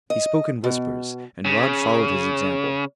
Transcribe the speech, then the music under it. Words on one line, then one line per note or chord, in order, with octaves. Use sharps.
He spoke in whispers, and Rod followed his example.
D#5
B2
C#3